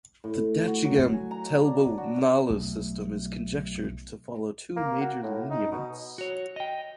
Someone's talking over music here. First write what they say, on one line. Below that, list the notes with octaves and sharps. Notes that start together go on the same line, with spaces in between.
The Dachigam Telbal Nallah system is conjectured to follow two major lineaments.
A2
F#4
F#3
G#5
A#5
D4
F#4
B1 A3
A#3
F#4
A2
D#4
B2
F#4 C#5
D#5 G5